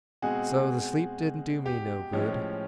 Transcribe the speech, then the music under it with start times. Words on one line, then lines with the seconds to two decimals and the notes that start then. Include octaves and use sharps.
So the sleep didn't do me no good.
0.22 B2 G#3 C4 F#4 G#4
1.66 G4
2.13 A2 F3 G#3 C#4